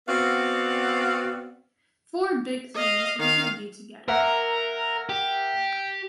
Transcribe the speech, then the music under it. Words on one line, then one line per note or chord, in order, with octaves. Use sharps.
Four big things we can do together.
B3 C4 F#4 D5 F5 F#5
D#5 F5
D#3 F5
A#3 A#4 E5 F#5
G4